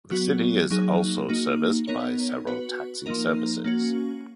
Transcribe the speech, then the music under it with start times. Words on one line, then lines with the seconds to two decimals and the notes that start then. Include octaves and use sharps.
The city is also serviced by several taxi services.
0.11 F#3 B3 F#4
0.70 F#3 A#3 D#4 G#4
1.29 A#3 D#4 F#4
1.87 B3 D#4 A#4 C#5
2.47 B3 F#4 B4
3.06 F3 A#3 D#4 A#4
3.65 A#3 C#4 F#4